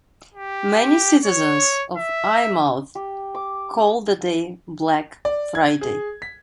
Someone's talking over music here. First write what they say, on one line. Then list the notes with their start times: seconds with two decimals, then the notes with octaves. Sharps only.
Many citizens of Eyemouth call the day Black Friday.
0.34 G4
1.24 C#5
1.97 E5
2.95 G4
3.35 D6
5.25 D5
5.55 G#6
5.81 G#4
6.22 B6